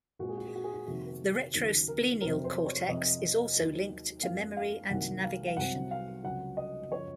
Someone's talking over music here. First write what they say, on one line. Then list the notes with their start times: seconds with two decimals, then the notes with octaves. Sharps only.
The retrosplenial cortex is also linked to memory and navigation.
0.19 A#2 G#3 C4 F#4
0.29 G#4
0.37 F#4
0.46 G#4
0.55 F#4
0.64 G#4
0.74 F#4
0.86 F2 C3 D#3 A#3 F#4
1.54 D#2 C#3 F#3 A#3
1.88 A#4
2.21 F2 C3 F#3 C4 A#4
2.44 C5
2.66 C#5
2.88 F2 C3 F3 C4 D#5
3.56 D#2 D#3 F#3 A#3
4.23 F#2 F3 A#3 F5
4.57 F5
4.89 C2 C3 D#3 F#3 A#3 F#5
5.24 F5
5.48 F5
5.57 C2 C3 F#3 C4 F#5
5.91 F5
6.24 C#2 C3 F#3 F#5
6.57 D#5
6.91 F#2 C#3 F3 C#5